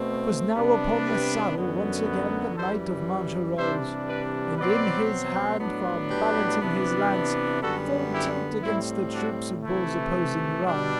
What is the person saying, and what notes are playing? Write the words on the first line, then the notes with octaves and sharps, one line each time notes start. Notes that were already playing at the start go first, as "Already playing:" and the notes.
'Twas now upon the saddle once again the knight of Mancha rose, and in his hand far balancing his lance, full tilt against the troops of bulls opposing run.
Already playing: B2 A3 C4
C3 G3 B3 D4
G4 B4
F#2 D3 F#3 B3
F#2 E3 G3 A4 C5
C3 E3 G3 D4 C5 E5
B4 D5
B2 F#3 C4 B4 D5
A2 F#3 B3 D4
G4 B4
C3 E3 B3 D4
F#2 D3 G3 B3 F#4 A4
E4 G4
A2 G3 C4 E4
D4 F#4
C3 E3 A3 E4
B2 G3 D4